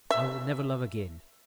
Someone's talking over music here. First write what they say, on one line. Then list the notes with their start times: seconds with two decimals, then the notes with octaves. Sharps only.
I will never love again.
0.11 E5